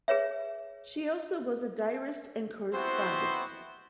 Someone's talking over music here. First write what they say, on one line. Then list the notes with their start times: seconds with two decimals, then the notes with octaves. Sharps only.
She also was a diarist and correspondent.
0.08 G#4 B4 C#5 E5
2.73 B3 C4 E4 F#4 C5